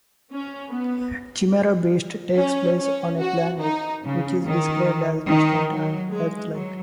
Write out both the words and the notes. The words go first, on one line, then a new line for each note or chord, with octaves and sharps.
Chimera Beast takes place on a planet which is described as distant and Earth-like.
C#4
B3
C#4
C#4
F#4
D#4
C#3
D#3
D#3
F#3
G#3
F#3